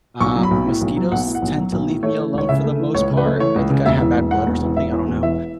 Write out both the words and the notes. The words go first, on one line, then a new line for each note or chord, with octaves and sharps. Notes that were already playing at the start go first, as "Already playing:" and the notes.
Um, mosquitoes tend to leave me alone for the most part, I think I have bad blood or something, I don't know,
B1 C#6
F#3
B5
B1
A2
B1
F#3
B1 F#5
A2
F#5
B1
F#3
B1
A2
A3 C#5
E3
C#2 C#5
C#3 E5
A3
E3
C#2 C#5
C#3
B4
A3
E3 C#5
C#2
C#3
E1 E5
E3
E1
E2 F#5
E1
E3
E1 E5
E2
E1
E3 E5